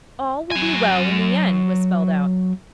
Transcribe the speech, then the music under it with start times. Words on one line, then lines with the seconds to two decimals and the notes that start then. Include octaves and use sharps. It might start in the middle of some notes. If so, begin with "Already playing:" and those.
"All will be well in the end," was spelled out.
0.51 F#3 G#5